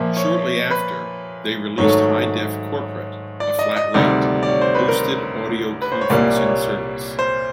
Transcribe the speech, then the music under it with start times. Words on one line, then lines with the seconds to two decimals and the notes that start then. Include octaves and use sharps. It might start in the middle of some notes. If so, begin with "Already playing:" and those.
Shortly after, they released HiDef Corporate, a flat-rate, hosted audio conferencing service.
Already playing: A#2 F3 A#3 E5
0.17 C#5
0.71 B4
1.78 G#2 D#3 F#3 A3 C#5
3.40 D5
3.59 D#5
3.76 D#5
3.94 D2 C3 D#3 G3 D5
4.43 D5
4.49 C#5
4.62 C5
4.75 B4
4.88 A#4
5.82 B4
5.92 C5
6.01 C#5
6.10 C2 A#2 G3 A#3 D5
6.37 C#5
7.19 C5